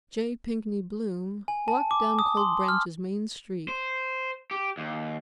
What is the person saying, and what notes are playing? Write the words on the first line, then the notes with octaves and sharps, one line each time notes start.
J. Pinkney Bloom walked down Cold Branch's main street.
G#5
A5
D6
D#6
C6
F6
C5
G4
D#2